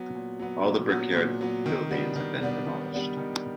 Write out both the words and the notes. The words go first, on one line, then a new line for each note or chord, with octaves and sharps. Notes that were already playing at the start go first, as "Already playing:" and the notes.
All the brickyard buildings have been demolished.
Already playing: F#3 B3
A#2
F#3 B3
A#2
F#3 B3
A#2
F#3 B3
D#3
G3 B3 D4
D#3
G3 B3 D4
D#3
G3 B3 D4
D#3